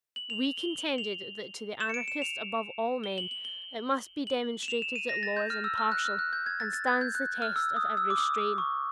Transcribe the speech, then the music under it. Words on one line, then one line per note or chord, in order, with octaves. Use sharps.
We contended that to the anarchist above all men it must be demonstrated that law is impartial and stands the test of every strain.
F#7
F7
F#7
G7
F#7
F7
E7
C#7
D7
E7
F7
G7
F#7
F#7
G7
F#7
E7
F7
E7
D#7
A#6
A6
G6
F6
E6
F6
F#6
F6
F#6
G6
G#6
A6
A6
G#6
G6
F#6
F6
E6
D#6
E6
D6
D#6
D6
C#6